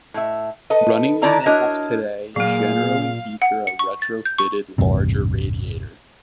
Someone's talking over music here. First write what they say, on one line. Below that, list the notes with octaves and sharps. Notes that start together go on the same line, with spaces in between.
Running examples today generally feature a retrofitted larger radiator.
A2 E5
A4 B4 D#5
D3 D#3 E4 D5 A5 A#5
D4 E4 F#4 A#4 C#5 D#5
A#2 F#3 A#3 G#4 F5
F#5
C#7
C#6
A6
G6
C#6
A1 E2 G2 C3